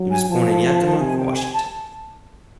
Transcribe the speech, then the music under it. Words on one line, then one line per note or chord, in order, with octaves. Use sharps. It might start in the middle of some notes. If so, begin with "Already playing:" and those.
He was born in Yakima, Washington.
Already playing: F#3
G#5
G#5
F3 A5
A5
A5
C3 G#5
G5
G#5
A5